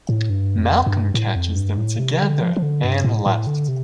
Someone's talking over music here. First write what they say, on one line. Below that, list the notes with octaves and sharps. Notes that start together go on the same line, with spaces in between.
Malcolm catches them together and left.
A2
G2
F2
G2
A2
F2
G2
A2
C3
D3
F3
F3
D3
G2
A2
A2
D3
C3